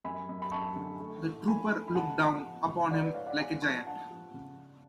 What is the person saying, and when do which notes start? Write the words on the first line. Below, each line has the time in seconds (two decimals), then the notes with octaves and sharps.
The trooper looked down upon him like a giant.
0.04 F#2 G#5 B5
0.29 F#2
0.42 B5
0.52 F#2 A5 C#6
0.76 D3
1.00 A3
1.24 A2
1.47 F3 G#5 B5
1.72 A3
1.88 B5
1.95 C#2 F#5 A5
2.19 F3
2.44 F3
2.66 C#2
2.91 F3 D5 F#5
3.02 B4 D5
3.14 G#2 C#5 F5
3.27 D5 F#5
3.38 G#2 F5 G#5
3.62 F3 A5 C#6
3.86 D4 F#5 A5
4.10 F3
4.34 C#3